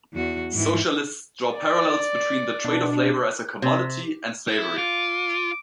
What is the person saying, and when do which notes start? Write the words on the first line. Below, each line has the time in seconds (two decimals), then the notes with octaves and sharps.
Socialists draw parallels between the trade of labor as a commodity and slavery.
0.13 E2 F#4
0.53 G#2 E3
1.55 D5
2.64 B2 D4
3.62 C3
4.48 E4
4.78 F4 D6